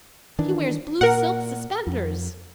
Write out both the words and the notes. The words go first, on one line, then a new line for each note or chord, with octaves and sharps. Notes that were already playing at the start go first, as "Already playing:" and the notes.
"He wears blue silk suspenders."
D#3 E3 D4
A#2 A#4 F#5
F2